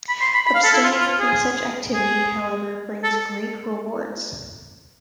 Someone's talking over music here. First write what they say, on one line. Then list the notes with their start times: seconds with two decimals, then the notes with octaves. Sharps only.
Abstaining from such activity, however, brings great rewards.
0.09 B5
0.21 C6
0.34 B5
0.46 B5
0.55 F5
0.64 A4
0.73 E4
0.83 F4
1.00 F4
1.19 G#4
1.94 G#4
3.03 A4